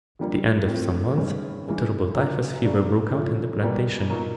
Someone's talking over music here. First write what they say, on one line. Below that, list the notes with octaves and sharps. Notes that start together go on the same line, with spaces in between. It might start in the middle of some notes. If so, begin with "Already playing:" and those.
At the end of some months a terrible typhus fever broke out in the plantation.
F2 D3 G3 A#3
A2 F3 A3 C4
G2 D#3 G#3 C#4
G2 E3 G#3 C#4
A#2 F#3 A#3 D4
C#3 F#3 A3 D4
G#2 F3 A3 C#4
E2 B2 G3 A#3
A#2 F#3 A#3 D#4